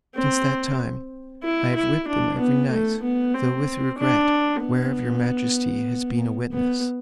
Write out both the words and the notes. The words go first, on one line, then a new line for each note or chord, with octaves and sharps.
Since that time I have whipped them every night, though with regret, whereof your majesty has been a witness.
C4
E4
E4
D4
B3
A3
B3
C4
D4
B3
B3